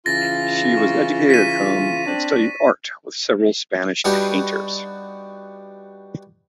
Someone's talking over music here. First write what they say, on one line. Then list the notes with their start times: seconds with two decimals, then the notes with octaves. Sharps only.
She was educated at home and studied art with several Spanish painters.
0.06 C#3 E3 F4 A6 A#6
0.77 C#6
1.30 B6 D#7
2.06 C4 D4
4.04 G3 B3 D4 D#4 F#4 G4